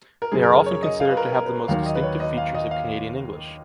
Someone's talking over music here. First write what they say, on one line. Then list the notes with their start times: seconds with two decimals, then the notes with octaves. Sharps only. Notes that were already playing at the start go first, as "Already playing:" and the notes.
They are often considered to have the most distinctive features of Canadian English.
0.22 A#4
0.32 F#2 C#3 F#3 G#4
0.43 A#4
0.54 A#4
0.66 C#5
0.83 D#5
1.00 F5
1.11 B4
1.17 A#4
1.28 B4
1.34 A#4
1.46 B4
1.68 D#2 D#3 F#3 F5
1.86 D#5
1.95 B4
2.03 C#5
2.20 D#5
2.37 F5
2.55 D#5
2.71 F5